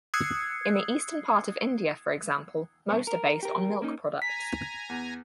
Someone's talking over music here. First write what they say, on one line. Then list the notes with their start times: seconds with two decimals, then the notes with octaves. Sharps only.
In the eastern part of India, for example, most are based on milk products.
0.14 D#6 E6 F#6 G#6 C7 C#7
2.90 G2 C3 A3 B3 C#5
3.07 A#4
3.43 G4 A#4
3.82 A#3 C#4 D#4
4.22 G#5 A#5 B6
4.89 E2